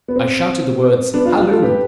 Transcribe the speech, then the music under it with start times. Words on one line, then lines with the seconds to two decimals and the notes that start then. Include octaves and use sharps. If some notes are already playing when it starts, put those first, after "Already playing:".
I shouted the words 'Halloo!
0.08 B3
0.16 C4
1.14 B3 D4
1.26 D4 F4
1.38 D4 F4
1.51 F4 A4
1.62 G4 B4